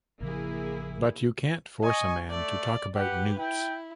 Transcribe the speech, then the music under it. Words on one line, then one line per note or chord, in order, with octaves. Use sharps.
But you can't force a man to talk about newts.
A1 C#3 F3 A#3 E4 G#4
D#5 G#5 C#6
A3 D5
G4 B4 F#5
E4 G5